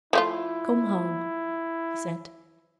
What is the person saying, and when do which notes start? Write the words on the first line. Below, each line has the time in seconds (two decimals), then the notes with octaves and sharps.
"Come home," he said.
0.13 F3 A3 E4 F4